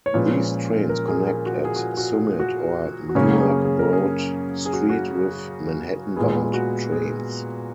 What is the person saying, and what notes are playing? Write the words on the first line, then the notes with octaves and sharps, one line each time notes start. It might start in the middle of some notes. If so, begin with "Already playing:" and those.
These trains connect at Summit or Newark Broad Street with Manhattan-bound trains.
C#5
A#2 F3 G#3 C#4 B4
A#4
G#4
A#4
F#4
G#4
F#4
F#4
F#4
F#4
F#2 C#3 F#3 A#3 C#4 G#4
G#4
G#4
A#4
G#4
G#4
F#4
F#4
A#2 G#3 B3 G#4
F#4
G#4